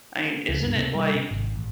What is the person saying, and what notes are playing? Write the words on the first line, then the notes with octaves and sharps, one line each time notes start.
I mean, isn't it, like,
C#2
G2
C3
G3
C3
G#1
A1